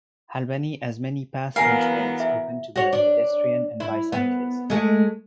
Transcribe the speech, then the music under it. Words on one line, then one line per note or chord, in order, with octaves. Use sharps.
Albany has many paths and trails open to both pedestrian and bicyclists.
E3 F#3 B3 A#4 F5 G#5 A#5
E5
F#4 C#5
D4
E4
B3
G#3 A3